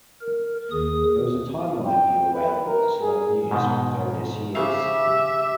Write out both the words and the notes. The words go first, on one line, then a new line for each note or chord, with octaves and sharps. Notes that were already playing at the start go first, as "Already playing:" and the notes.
There was a timeline view available, to select news from various years.
A#4
D#2 D#3 G#4 D#6
G5
B4
A#4
G#4
G#2 B2 D#3
C#3 G4 C5 E5 F5